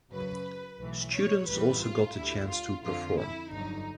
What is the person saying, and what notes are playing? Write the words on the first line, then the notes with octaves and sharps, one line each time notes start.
Students also got the chance to perform.
F#2 C#3 F#3 B4
B1 A2 E3
C#5
A1 G2 E3 G3 B4
F4
D2 D3 G3 E4
F4
F2 D3 F3 F4
E4
G1 F2 D3 F#3 D#4